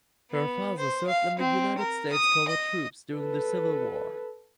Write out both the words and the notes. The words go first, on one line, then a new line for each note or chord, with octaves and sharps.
Her father served in the United States Colored Troops during the Civil War.
B3
C5
F5
C4
A#4
D#6
D#5
A4 B4